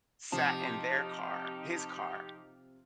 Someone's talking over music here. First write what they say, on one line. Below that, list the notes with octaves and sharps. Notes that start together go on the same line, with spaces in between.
sat in their car his car,
C3 F3 D#4 G4 A5